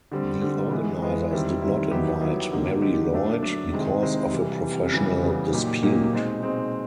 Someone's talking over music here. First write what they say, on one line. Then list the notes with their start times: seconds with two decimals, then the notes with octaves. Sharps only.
The organisers did not invite Marie Lloyd, because of a professional dispute.
0.12 D3 G3 C4
0.41 D3 G3 C4
0.71 E3 G#3 B3
1.02 E3 G#3 B3
1.31 D#3 G3 C4 E4
1.62 D#3 G3 C4 E4
1.91 D#3 F#3 B3 E4 G4
2.21 D#3 F#3 B3 E4 G4
2.52 D3 F#3 A#3 D#4 G4
2.81 D3 F#3 A#3 D#4 G4
3.12 F#3 A3 D4
3.43 F#3 A3 D4
3.72 C3 D#3 G#3 C4 E4
4.02 C3 D#3 G#3 C4 E4
4.32 C3 E3 G3
4.62 C3 E3 G3
4.92 C#3 E3 G3 B3
5.23 C#3 E3 G3 B3
5.53 A#2 F#3 A#3 D#4 G4
5.83 A#2 F#3 A#3 D#4 G4
6.13 B2 G#3 C4 D#4
6.43 B2 G#3 C4 D#4